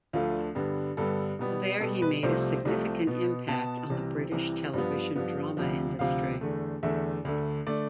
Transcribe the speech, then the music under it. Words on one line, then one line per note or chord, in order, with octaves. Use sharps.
There he made a significant impact on the British television drama industry.
D2 D3 F3 A3 F4
G2 D3 G3 B3
G2 D3 G3 B3 A4
B2 G3 B3
B2 G3 B3 A4
B4
C2 C3 F3 A3 C5
C2 C3 F3 A3
B2 B3
B2 B3 A5
C2 C3 E3
C2 C3 E3
G2 F3 B3
G2 F3 B3
D2 C3 F3
D2 C3 F3 F5
E2 D3 A3
E2 D3 A3 E5
D2 D3 A3
D3 A3 D5